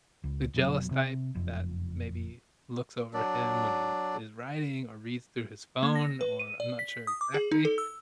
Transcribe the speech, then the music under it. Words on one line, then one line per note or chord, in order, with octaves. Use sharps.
the jealous type that maybe looks over him when he is writing, or reads through his phone, or I'm not sure exactly,
C#2
F1 B2 F#3
C3 C4
F#1 F2
F#3 D4 D5
A#3
A#6
B4
D#7
D5
B6
D#6
D6
G#4
D#4
A4
E6